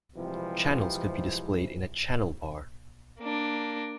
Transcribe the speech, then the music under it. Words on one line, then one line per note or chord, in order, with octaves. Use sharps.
Channels could be displayed in a Channel Bar.
C3 E3 F3 G3 G#3 C4
A#3 D4